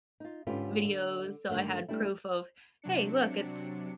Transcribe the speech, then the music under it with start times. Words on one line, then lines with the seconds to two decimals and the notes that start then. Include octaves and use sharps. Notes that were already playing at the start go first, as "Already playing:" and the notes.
videos. So, I had proof of, "Hey, look, it's
0.20 D#4 F4
0.47 G#2 D3 C#4 F4 G4 B4
0.85 D3
1.49 G2 D3 D#3 F3 A3
1.89 G3 A3 D4 E4
2.82 C3 F#3 D4 C#7